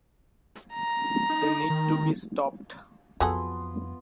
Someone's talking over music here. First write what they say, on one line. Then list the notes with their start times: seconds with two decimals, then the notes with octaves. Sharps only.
They need to be stopped.
0.75 A#5
1.30 D#4
1.70 D#3
3.20 F2 F#3 B3 F4 G#4 A4 C6